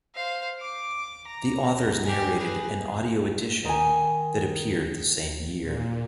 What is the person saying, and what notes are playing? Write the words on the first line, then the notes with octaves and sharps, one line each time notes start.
The authors narrated an audio edition that appeared the same year.
C5 F5
D6
A#5
G4 G#5
G#4 B4
D#3 G#5
A#2